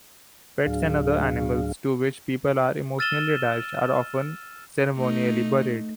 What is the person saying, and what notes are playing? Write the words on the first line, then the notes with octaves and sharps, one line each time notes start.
Pets and other animals to which people are emotionally attached are often ceremonially buried.
D2 A2 F#3 D4 G#4 F5
E6 F6 A6 D#7 E7 G7
A3 D#4